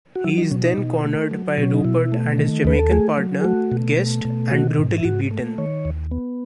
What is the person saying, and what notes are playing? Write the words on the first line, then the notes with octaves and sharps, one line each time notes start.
He is then cornered by Rupert and his Jamaican partner, Guest, and brutally beaten.
F#4
F#3 E4
D#4
B2 C#4
D#4
B2
A3
F#3
B2
C#4
D#4
B2 E4
A3
D#3
D#2 B4
A4
A3 G#4
F#3
G#4
A3 F#4
B2
A3
B2
D#3 F#4
G#2
E4
G#2 F#4
A3
D#3 C#5
D#2
B3